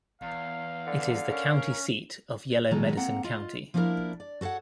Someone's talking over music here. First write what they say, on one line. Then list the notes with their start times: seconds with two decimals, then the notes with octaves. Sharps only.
It is the county seat of Yellow Medicine County.
0.22 E2 F5
0.87 D3
1.30 C#4 A#4
2.71 B2 D#3 F#3 G#3 A4 A#5
2.97 A#3 C4 F#5 A#5
3.24 F4 D#5
3.74 F3 A#3 D4 E4 A#4
4.20 D5
4.41 F#4 A4 C5 C#5 F#5